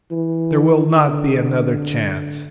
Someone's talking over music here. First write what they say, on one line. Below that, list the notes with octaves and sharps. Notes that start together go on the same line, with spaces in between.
There will not be another chance.
E3
D3